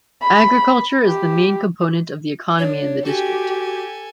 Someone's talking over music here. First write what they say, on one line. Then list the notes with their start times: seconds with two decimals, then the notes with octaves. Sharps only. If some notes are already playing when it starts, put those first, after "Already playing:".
Agriculture is the main component of the economy in the district.
0.22 B5
1.06 G4
2.59 D4 C#5
3.06 F#4 G4 A4 G#5